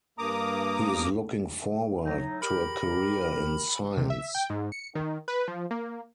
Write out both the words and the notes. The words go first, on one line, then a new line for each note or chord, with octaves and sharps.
He is looking forward to a career in science.
G2 A#3 A#5 D6 D#6
A2 F#3 D#4
G4 A#4 B5
C3
E5
G5
G#2
C#7
D#3
B4
F3
A#3